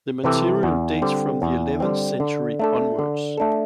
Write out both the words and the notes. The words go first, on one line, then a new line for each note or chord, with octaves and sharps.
The material dates from the eleventh century onwards.
C3 E3 C4 A4
E2
D3 G3 C4
E2
D3 G3 C4
D3
A3 D4 A4
D3
A3 D4 A4